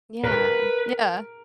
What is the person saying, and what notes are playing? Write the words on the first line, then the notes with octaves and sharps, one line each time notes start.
Yeah. Yeah.
A#4 B4